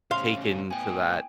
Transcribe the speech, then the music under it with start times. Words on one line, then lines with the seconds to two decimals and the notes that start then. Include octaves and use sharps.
take into that
0.11 A2 C#3 F5 C6 F6
0.71 A2 B3 G5 G#5